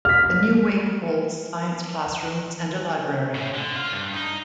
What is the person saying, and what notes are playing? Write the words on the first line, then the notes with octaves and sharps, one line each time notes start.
The new wing holds science classrooms and a library.
F6 B6
A2 C#3
D3
F4
G2
D#4